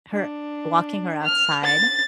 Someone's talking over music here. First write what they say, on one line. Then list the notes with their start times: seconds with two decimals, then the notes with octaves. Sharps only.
her walking her outside,
0.12 D4
1.24 F6
1.64 A6